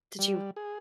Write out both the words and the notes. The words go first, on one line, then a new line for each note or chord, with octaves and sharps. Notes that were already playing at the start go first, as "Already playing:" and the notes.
Did you
G3
G#4